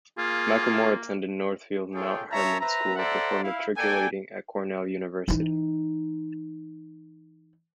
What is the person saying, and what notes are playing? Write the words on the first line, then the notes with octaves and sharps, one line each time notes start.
McLamore attended Northfield Mount Hermon School before matriculating at Cornell University.
A#3 F4 G#4
F4 G#4 A4 C#5 G5
C#4 F4 C#5 E5 A5 A#5
B4 C5 E5 A#5
A4 C5 D5 E5 F#5 A#5
E4 F5
A#3 A4 D5 G5 G#5
E3 D#4